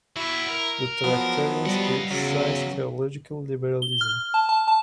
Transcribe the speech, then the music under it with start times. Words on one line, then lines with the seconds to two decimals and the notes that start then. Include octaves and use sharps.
The Tractarians criticised theological liberalism.
0.16 F#3 B3 E4 C#6
0.49 A#4
1.04 F3 F#3 B3
1.66 G3 D#5 F#5
2.11 E2 C#3 F#3
3.82 G7
4.01 F6
4.34 A5
4.49 A5
4.68 A5